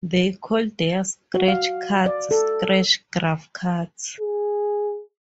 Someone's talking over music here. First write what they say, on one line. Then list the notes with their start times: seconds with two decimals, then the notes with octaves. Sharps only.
They called their sketch cards "sketchagraph" cards.
1.34 F#4
1.48 F5
2.06 D5
2.31 A4
4.20 G#4